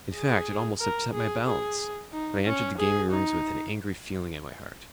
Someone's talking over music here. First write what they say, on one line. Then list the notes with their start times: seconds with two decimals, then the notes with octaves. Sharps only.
In fact, it almost upset my balance, and I entered the gaming rooms with an angry feeling at my heart.
0.14 G#4
0.80 A#4
1.13 G#4
1.45 G#4
2.12 D#4
2.45 C#4
2.78 G#4
3.11 D#4